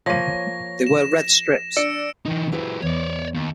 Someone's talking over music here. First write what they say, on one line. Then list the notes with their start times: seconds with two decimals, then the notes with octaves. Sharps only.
They wear red strips.
0.06 F3 A#3 C#5 A#6 D#7
0.87 E7
1.77 D4 E6 C#7 D7
2.26 E3 D#4
2.52 F#3 G#3 E4 B4 C5
2.82 E2 C#5 D5
3.34 D#2